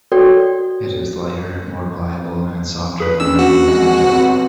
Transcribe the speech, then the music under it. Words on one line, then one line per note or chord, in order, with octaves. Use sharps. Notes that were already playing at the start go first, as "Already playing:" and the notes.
It is lighter, more pliable, and softer than regular Play-Doh.
F#4 A4 C#5 D5 G5
G#4 B4
A#3 C#4 D4 E6
F#4
F2 G#3
C3 F#3 B3